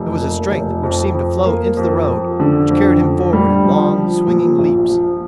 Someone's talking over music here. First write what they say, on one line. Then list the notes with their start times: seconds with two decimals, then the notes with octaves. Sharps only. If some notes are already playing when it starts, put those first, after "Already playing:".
It was a strength which seemed to flow into the road, which carried him forward in long, swinging leaps.
Already playing: F1
0.21 A#3
0.52 F1
0.83 F2
1.14 F2
1.45 A#3
1.77 F2
2.09 F2
2.40 D3
2.70 F2
3.02 D3
3.33 G3
3.64 F3
3.96 F3
4.27 A#2
4.59 A#1
4.89 F3